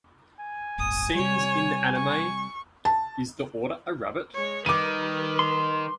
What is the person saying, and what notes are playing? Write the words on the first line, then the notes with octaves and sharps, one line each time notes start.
Scenes in the anime Is the Order a Rabbit?
G#5
D1 G1 D#6
C3 G3 C#5
C#6
A5
G#3 C#5
D#3 G3 B4 D6 D#7
C6